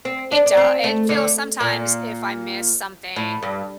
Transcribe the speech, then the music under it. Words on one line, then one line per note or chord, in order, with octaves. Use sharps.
It doe it feels sometimes, if I miss something,
C4
D4
D4
C4
A3
D3
A#2
A2
G2